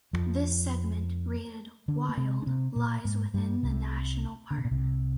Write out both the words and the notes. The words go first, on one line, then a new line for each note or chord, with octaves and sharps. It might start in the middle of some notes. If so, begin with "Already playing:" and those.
This segment, rated "wild", lies within the national park.
F2 F3
D3 D4
A#3
C3 C4
D4
C3 C4
A#2 A#3
G#2 G#3
G2 G3
C2 C3
D3
C3
A#2
C2 C3